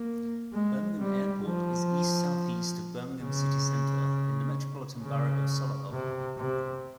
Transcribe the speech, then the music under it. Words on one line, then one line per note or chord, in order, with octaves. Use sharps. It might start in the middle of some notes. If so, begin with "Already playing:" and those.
Birmingham Airport is east-south-east of Birmingham city centre, in the Metropolitan Borough of Solihull.
Already playing: A#3
G#3
G3
F3
C#3
C#3
C3
C3